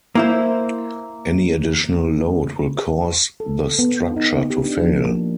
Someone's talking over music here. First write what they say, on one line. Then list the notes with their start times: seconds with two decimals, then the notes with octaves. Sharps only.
Any additional load will cause the structure to fail.
0.15 A#3 E4 C5
3.40 A4
3.79 B3
4.16 D#4
4.37 B3
4.50 G4
4.66 D4
4.79 F3
4.96 A#3
5.15 A#3